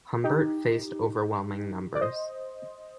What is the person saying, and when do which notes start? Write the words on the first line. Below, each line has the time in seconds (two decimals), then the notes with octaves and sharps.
Humbert faced overwhelming numbers.
0.24 D#4 G4
1.95 D5
2.01 C5 D#5